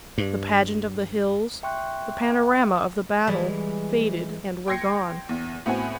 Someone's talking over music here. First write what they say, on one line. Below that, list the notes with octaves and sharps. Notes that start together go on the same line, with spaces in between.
The pageant of the hills, the panorama of the battle, faded and were gone.
G2
E5 G5 C6 C#6 F#6
E3 G3 G#3
G5 C6 G#6 A#6 C7 C#7
E2
A2 B3 C4 F#4 G#5